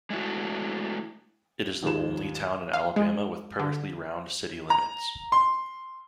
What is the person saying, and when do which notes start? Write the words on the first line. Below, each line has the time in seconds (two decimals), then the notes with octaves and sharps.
It is the only town in Alabama with perfectly round city limits.
0.10 G#3 A3 D4 E4 F#4
1.83 D#2 G#2 F4 G4 G#4 E7
2.73 F5
2.96 G#3
3.59 D3
4.70 A#5
5.32 C6